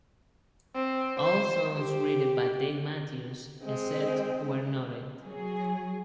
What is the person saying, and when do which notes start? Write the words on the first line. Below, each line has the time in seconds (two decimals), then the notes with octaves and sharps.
All songs written by Dave Matthews except where noted.
0.75 C4
1.20 C5
1.78 G4
3.64 G#3 C4
5.26 F#3 G#4